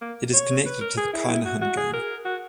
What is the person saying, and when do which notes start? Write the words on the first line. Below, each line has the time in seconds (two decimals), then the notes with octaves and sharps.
It is connected to the Kinahan gang.
0.01 A#3
0.33 C#5
0.66 B4
0.81 A#4
0.97 G#4
1.13 E4
1.28 E4
1.45 F#4
1.61 F#4
1.77 G#4
1.93 A#4
2.25 F#4